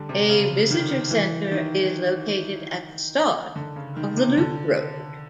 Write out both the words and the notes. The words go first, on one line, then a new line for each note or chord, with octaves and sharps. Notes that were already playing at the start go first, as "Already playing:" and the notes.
A visitor center is located at the start of the loop road.
Already playing: D3 G3
C3
C#3
D#3
E3
D#3
D3
C#3
D#3
C3
D3